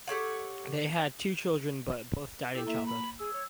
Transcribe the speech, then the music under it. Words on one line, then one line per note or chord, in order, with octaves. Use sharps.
They had two children, but both died in childhood.
G4 A4 C#5 F#5
E4 G4 A4
A#3 E5
B5
G#4 E6
C#5